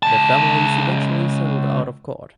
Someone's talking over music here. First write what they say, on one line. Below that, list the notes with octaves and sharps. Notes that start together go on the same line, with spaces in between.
The families eventually settled out of court.
C#2 A5